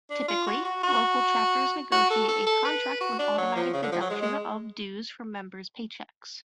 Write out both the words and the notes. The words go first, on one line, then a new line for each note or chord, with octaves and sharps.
Typically, local chapters negotiate a contract with automatic deduction of dues from members' paychecks.
D4
F4
F#4
F#4
F#4
F#4
A4
A4
A4
B4
F#4
D4
F#3
F3
C#3
D3
F3
F#3
G#3
G#3